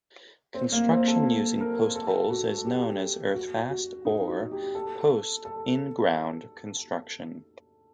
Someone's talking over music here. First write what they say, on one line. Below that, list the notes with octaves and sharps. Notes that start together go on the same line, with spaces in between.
Construction using postholes is known as earthfast or post in ground construction.
C4
A#3
C4
A4
A#4
A4
F#4
A4
G4
F#4
F#4
D#4
F#4
G4
A4
A4